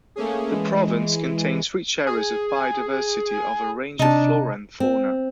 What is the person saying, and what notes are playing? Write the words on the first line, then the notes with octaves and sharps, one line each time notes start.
The province contains rich areas of biodiversity of a range of flora and fauna.
A3 A#3 C#4 G#4
E3 G#3
G#4
C3 D4 D#4 A5
C4